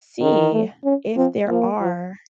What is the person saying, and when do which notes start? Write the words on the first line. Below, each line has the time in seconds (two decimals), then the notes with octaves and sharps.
see if there are
0.21 D#3
0.53 A3
0.84 C#4
1.16 F3 C4
1.48 F3 A#3
1.80 F3